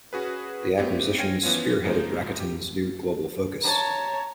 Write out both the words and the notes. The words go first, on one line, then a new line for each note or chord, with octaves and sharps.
The acquisition spearheaded Rakuten's new global focus.
C#4 F#4 G#4 B4
A3 B3 C4 G4
C#4 F4 G5 G#6 A#6 D#7
E3 F3 B3 C#4 F4
C#3 F3 G#3 A#3 D#4
G4
C#5 A5 A#5